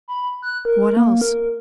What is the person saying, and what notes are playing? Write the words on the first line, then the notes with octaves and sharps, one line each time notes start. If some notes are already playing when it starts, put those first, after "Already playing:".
What else?
B5
F#6
A#4
A#3
A#4